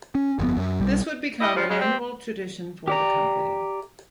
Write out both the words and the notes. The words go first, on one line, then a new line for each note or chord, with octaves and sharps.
This would become an annual tradition for the company.
C#4
G1 F2 B3
F#2
B1 G3
G3 E4 D#5
G2 C#3 F3
C#3 G#3
C4 G4
G4 D5 A#5